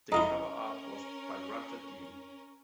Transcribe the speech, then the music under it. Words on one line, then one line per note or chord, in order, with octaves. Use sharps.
The cover art was by Roger Dean.
C#4 E4 F4 A4 A#4 D#5 A#5